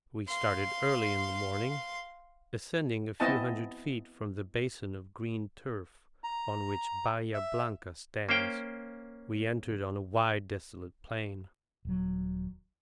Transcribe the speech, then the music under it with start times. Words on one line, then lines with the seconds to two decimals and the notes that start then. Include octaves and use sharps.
We started early in the morning; ascending a few hundred feet from the basin of green turf on which Bahia Blanca stands, we entered on a wide desolate plain.
0.27 F5 C6
3.20 B3 C4 E4 D#5 G#5 A5
6.24 A#5
7.34 E5
8.29 A#3 C#4 C5 F5 G5
11.85 D#1 F#3